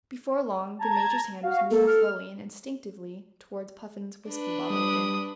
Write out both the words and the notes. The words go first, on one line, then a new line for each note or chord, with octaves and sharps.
Before long the Major's hand was moving slowly and instinctively towards Puffin's whisky bottle again.
A5 A#5 G#6
F#4 F5
A#3 A4
F6
D4 B4
G3 D#6